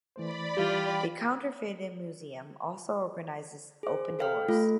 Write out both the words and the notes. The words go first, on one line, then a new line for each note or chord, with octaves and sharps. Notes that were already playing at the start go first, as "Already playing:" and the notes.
The Counterfeiting Museum also organizes Open Doors.
E3 A3 C5 D5 B5
E3 G3 F4 G4
G#4 C5
A4 B4 F5 G5 F6
A3 F4 A4